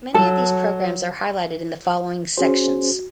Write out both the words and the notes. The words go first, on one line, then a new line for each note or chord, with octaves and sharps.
Many of these programs are highlighted in the following sections.
F#3 A4 A5
C#4 F#4 G#4 C5